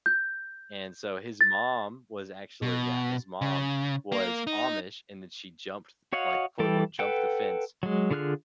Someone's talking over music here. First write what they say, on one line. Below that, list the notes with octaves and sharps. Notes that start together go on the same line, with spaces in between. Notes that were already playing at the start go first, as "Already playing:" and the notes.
and so his mom was actually yeah, his mom was Amish, and then she jumped like, quote, unquote, "jumped the fence,"
G6
A6
B2
C#3
A#3
D#4
F#4 C#5 D#5 F5 F#5
E3 G3 A4 G5
A4 B4 F#5 G5
F#3 G#3
D3 F4 G#4 F6 F#6